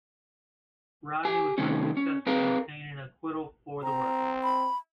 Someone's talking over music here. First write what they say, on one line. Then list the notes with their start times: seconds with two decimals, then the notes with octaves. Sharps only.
Rodney was unsuccessful in attaining an acquittal for the workers.
1.25 G4 G#5
1.58 C3 D#3 A3 C4 C#4
1.97 C#4
2.26 C4 G#4 A#4 B4 F5
3.83 C4 A#5
4.43 B5